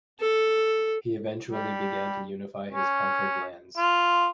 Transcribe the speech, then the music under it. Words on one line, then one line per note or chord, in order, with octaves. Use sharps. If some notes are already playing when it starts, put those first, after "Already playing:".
He eventually began to unify his conquered lands.
A4
G3
C#4
F4